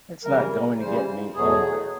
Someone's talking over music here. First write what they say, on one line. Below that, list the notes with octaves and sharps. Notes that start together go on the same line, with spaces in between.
It's not going to get me anywhere.
C#3 E3 G3 A#4
C#3 E3 G3 C5
E2 B2 F#3 A3 G#4